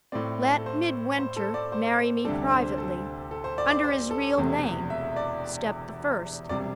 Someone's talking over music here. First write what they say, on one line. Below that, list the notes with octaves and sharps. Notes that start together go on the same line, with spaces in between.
Let Midwinter marry me privately, under his real name--step the first!
A2 A3 C4 D5
A4
C5
C5
A4
D5
C5
D2 C3 G3 D4 A4
C5
A4
A4
C5
D5
D5
C5
A4
E1 E2 C3 A3
E5
D5
E1 C3 G3 D5